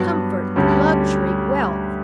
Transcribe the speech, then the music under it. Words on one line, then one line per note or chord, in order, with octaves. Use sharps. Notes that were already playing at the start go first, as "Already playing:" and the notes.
Comfort, luxury, wealth!
Already playing: G2 F#3 B3 F#4
D2 D3 G3 C#4